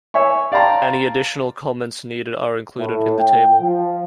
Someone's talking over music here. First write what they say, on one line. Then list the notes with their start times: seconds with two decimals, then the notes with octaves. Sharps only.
Any additional comments needed are included in the table.
0.14 C#5 E5 G#5 C#6
0.52 D5 F5 G5 A5 A#5 C6
2.78 A2
3.20 G5
3.59 F3